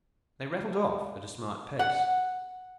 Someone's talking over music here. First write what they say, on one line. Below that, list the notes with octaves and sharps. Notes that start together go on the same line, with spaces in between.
They rattled off at a smart pace.
F#5